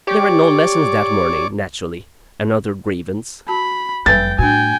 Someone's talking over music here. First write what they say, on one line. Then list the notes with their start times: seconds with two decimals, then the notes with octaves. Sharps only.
There were no lessons that morning, naturally--another grievance!
0.07 G4 C#5 D5 D6
3.48 F#4 A5 B5
4.06 F#1 F2 G3 B4 G5 G#5 A6
4.39 A2 D4 F#4 G5 G#5